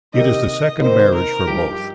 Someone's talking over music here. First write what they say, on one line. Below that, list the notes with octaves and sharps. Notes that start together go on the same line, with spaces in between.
It is the second marriage for both.
C3 D#3 A#3 D#4 G4 D#5
C3 D#3 A#3 D#4 G4 C5
A#4
G2 F3 D#4 G4